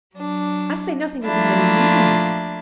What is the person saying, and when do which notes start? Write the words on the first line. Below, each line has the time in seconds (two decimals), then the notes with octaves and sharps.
I say nothing of the many millions...
0.16 F#3 D4
1.24 F3 A3 A#3 D4 E4 F4